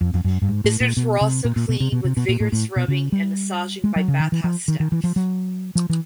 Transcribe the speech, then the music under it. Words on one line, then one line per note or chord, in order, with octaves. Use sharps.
Visitors were also cleaned with vigorous rubbing and massaging by bathhouse staff.
F2
F2
F#2
G2
G#2
A2
A#2
B2
C3
A#2
A#2
B2
C3
B2
C3
B2
A#2
A2
A2
B2
C#3
G3
G#3
F#3
C#3
D#3
E3
F3
D#3
D#3
E3
F3
F#3
F3
E3